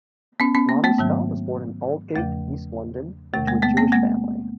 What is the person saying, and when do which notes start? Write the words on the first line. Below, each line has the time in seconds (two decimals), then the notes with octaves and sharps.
Ronnie Scott was born in Aldgate, East London, into a Jewish family.
0.40 B3 C#4
0.55 B3 C#4
0.69 A#3 C4
0.84 A3 B3
0.98 G#2 D#3 F#3
2.16 E2 C#3 F3 A3
3.34 E2 C3 D#3 A3
3.47 G#3 A#3
3.62 A3 B3
3.77 A#3 C4
3.92 G#3 A#3